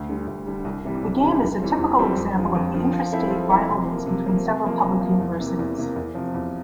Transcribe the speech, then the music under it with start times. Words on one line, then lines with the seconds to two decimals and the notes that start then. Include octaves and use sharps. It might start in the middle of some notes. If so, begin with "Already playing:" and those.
The game is a typical example of the intrastate rivalries between several public universities.
Already playing: D2
0.09 D3 G3
0.27 D2
0.46 D3 G3
0.65 C2
0.85 C3 E3 G3
1.03 C2
1.22 C3 E3 G3
1.41 E2
1.60 E3 G3 C4 F4
1.79 E2
1.98 E3 G3 C4 F4
2.17 F2
2.36 D3 F3
2.55 F2
2.74 D3 F3
2.93 F3
3.12 C4 E4 A4
3.31 F3
3.50 C4 E4 A4
3.69 C3
3.88 F3 A#3
4.06 C3
4.26 F3 A#3
4.45 C3
4.64 F3 A#3
4.83 C3
5.01 F3 A#3
5.21 E2
5.40 C3 E3 A#3
5.59 E2
5.78 C3 E3 A#3
5.96 E2
6.15 C3 F3
6.34 E2